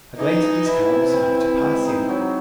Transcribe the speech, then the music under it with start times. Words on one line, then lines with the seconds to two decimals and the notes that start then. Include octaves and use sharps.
A glance at his card was enough to pass him.
0.18 E3 D#4
0.43 E3
0.66 E3 E4
0.90 C3
1.14 C4 E4
1.37 C4
1.62 G#3
1.86 D#4
2.09 F#3